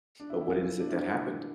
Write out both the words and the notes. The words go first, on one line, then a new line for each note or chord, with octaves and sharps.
But what it is that happened?
D4
E4
E4
F4
D4
E4